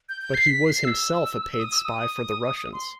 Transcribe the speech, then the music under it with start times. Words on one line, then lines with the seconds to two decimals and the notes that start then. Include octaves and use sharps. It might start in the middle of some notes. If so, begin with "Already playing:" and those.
But he was himself a paid spy for the Russians.
0.09 G6
0.21 G6
0.34 C7
0.47 B6
0.65 C7
0.84 E6
1.52 E6
1.60 D#6
1.72 E6
1.85 D#6
2.73 C6